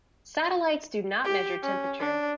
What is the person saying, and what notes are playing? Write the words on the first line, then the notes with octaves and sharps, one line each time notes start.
Satellites do not measure temperature.
G4
C#4
D4